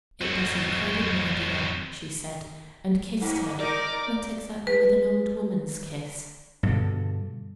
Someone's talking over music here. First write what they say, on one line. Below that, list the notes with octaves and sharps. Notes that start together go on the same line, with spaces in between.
"It does you credit, my dear," she said, and kissed her, not exactly with an old woman's kiss.
F2 F#3
G2
D#4 A#4 D5 D6
B4
G2 B2 D3